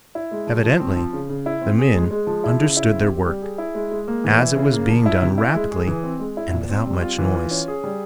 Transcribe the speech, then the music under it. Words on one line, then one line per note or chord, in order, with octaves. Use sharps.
Evidently the men understood their work, as it was being done rapidly and without much noise.
E4
G#3
F3
F3
C4
F3
C#3
C#3
E4
C4
G#4
G#3
G#3
F3
E4
C#3
E4
C4
G4
G3
G#4
E4
G#3
G#3
A#3
E3
E4
C#3
A#3
F3
E4
C3
E4
G#3
G#4
E3
C4
G#3
E4
A#2
C4
G3
F4
E3
F4
C#4
G#4
G3